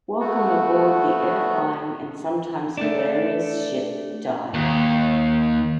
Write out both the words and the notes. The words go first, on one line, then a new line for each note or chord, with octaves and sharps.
Welcome aboard the edifying and sometimes hilarious ship Dyer.
A3 B3 F#4
A3 D4
D#2